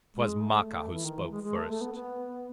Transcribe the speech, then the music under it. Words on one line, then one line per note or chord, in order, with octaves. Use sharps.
'Twas Maka who spoke first.
G#3
A3
E3
D#3
E3
G#3
G#3
A3
A3
B3
B3